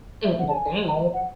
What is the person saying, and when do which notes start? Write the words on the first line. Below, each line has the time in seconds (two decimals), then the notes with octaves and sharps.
out and about.
0.24 E5
0.38 F#5
0.48 A5
0.52 G#5
1.13 F#5